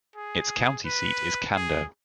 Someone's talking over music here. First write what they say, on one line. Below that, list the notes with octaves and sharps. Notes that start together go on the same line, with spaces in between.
Its county seat is Cando.
G#4
B4
G#4